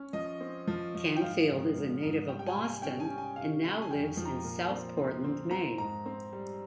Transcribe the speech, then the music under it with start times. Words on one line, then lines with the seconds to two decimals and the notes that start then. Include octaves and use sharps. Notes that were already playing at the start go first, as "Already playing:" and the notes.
Canfield is a native of Boston, and now lives in South Portland, Maine.
Already playing: C#4
0.13 F3 D#5
0.40 C4
0.67 F3
0.95 F3
1.16 G5
1.21 G#2 F5
1.49 G#2
1.75 G#2
2.02 G#2
2.29 G3 G5
2.39 G5
2.47 G#5
2.55 C3
2.65 G#5
2.82 C#4 G5
3.00 G#5
3.10 C#4
3.18 G#5
3.36 C3 F5
3.63 G#3
3.82 G#5
3.90 F2 G5
4.17 F3
4.25 A#5
4.44 A#2
4.70 C4
4.97 C4
5.24 C4
5.51 C4 A#5
5.78 G#2 A#5
6.06 C4
6.33 G3